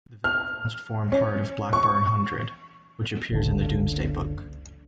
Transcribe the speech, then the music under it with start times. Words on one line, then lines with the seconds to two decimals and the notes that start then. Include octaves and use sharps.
The village once formed part of Blackbourn Hundred, which appears in the Domesday Book.
0.24 F6
1.12 C#4
1.73 C#6
3.31 F#1 C#2 D3